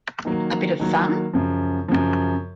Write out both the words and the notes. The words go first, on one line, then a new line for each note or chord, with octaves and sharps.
A bit of fun?
D#3 F#3 A#3
D#3 F#3 A#3
F#2 C#3 F3
F#2 C#3 F3